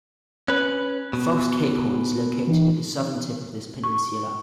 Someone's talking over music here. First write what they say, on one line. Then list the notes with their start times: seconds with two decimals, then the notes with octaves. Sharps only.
False Cape Horn is located at the southern tip of this peninsula.
0.48 C#4 B4 F#6
1.13 B2
2.47 E3 D#4
3.84 C#6